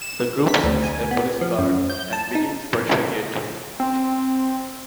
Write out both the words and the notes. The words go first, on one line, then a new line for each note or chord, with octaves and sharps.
The group sees a police car and begins pursuing it.
E7
B6
D2
G#5
B3
F3
F#2
G6
A5
D#4
C4